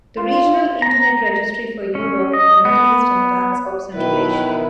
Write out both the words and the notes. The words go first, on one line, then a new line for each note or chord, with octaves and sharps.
The Regional Internet Registry for Europe, the Middle East and parts of Central Asia.
F4
A#5
C#4
D#5
B3
B2 D#3 E4 B4